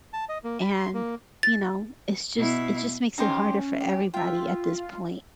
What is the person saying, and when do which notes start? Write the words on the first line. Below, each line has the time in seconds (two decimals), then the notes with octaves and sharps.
and, you know, it's just it just makes it harder for everybody at this point.
0.13 A5
0.29 D#5
0.44 A#3
0.61 B5
0.77 C6
0.94 A#3
1.43 A6
2.37 B2 E4
3.18 C#4 D#4 G4 C5
3.80 G4
4.14 F4 E5 G5